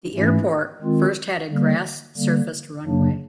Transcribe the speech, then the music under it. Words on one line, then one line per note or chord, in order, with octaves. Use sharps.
The airport first had a grass-surfaced runway.
G#2 E3 A3 C#4 E4
D#3 G#3 C4 F4
D3 G3 A#3
D3 G3 A#3
F#2 C#3 F#3 A#3 D4